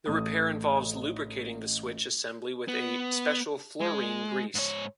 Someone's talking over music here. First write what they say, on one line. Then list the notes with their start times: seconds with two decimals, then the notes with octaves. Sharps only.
The repair involves lubricating the switch assembly with a special fluorine grease.
0.06 A1 A3 D#6
2.68 B3
3.81 G#3
4.55 G#2 C#5